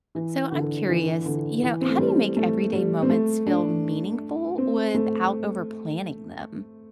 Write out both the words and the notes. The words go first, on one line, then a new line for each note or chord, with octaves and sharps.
So, I'm curious, you know, how do you make everyday moments feel meaningful without over-planning them?
E3
D3
E3
D3
E3
C4
A3
G3
A3
G3
C4
A3
D4
C4
A3